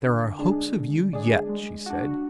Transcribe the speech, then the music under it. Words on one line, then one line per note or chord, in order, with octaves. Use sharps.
"There are hopes of you yet," she said.
D3
G#3 D4 G#4
D3
G#3 D4 G#4
G#3
D4 F#4